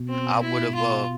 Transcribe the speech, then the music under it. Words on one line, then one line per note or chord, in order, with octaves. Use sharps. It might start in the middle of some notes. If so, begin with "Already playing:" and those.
I would 've uh,
Already playing: B2
C4
E4
F4